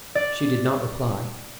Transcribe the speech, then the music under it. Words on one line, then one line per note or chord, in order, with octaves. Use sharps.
She did not reply.
D5